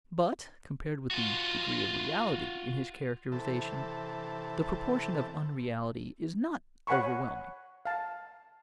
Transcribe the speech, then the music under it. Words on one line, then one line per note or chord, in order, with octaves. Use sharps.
But, compared with the degree of reality in his characterization, the proportion of unreality is not overwhelming.
F4 F#4
C3 E3 A4
C#5 F#5 G#5 B5 C#6
F5 A5